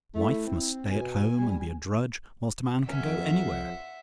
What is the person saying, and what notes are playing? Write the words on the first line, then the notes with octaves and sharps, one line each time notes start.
A wife must stay at home, and be a drudge, whilst a man can go anywhere.
A3 E4
C4
B2 G#5
G3
F2 C#4 E5 F#5 C6